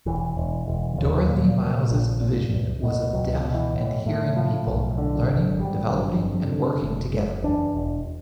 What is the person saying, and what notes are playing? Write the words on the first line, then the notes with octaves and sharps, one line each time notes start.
Dorothy Miles' vision was of deaf and hearing people learning, developing and working together.
E1 E3
E1
E1
D#2
A#2
A#2
A#1 F3
A#2
C#2
B2
C#2 F#3
F3
B2
E3
A2
A2
A2 F3
B1
D3
G#1
G#1 G3
G2
F2
D3
F#1 A3
F#1 G#3
E2 D4
E1